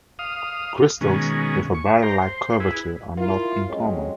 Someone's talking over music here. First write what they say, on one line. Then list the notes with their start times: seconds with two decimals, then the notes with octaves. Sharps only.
Crystals with a barrel-like curvature are not uncommon.
0.19 F5 D#6
1.01 B2 D#3 G#3 C#4
1.74 C#6
2.02 G4 C5 A#5
2.21 C5
2.60 E4 G#4 B4
3.18 E4 F4 A#4
3.68 F2 F#3 G#3 C#4 C#5 D#5